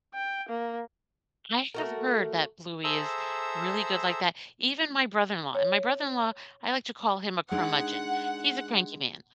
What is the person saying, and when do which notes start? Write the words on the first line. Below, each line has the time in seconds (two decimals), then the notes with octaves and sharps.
I have heard that Bluey is really good like that, even my brother-in-law and my brother-in-law, I like to call him a "curmudgeon", he's a cranky man,
0.14 G5
0.49 A#3
1.74 A3 F#4 A#4
2.84 G#4 A4 C5 E5 A#5 E6
5.55 C#5
7.51 G#3 D4 D#4 F#5